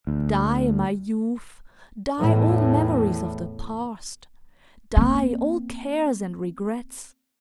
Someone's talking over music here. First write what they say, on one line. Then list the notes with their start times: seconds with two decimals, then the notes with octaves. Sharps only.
Die, my youth, die all memories of the past, die, all cares and regrets!
0.07 D2
2.20 E2 A2
4.97 A#3 C4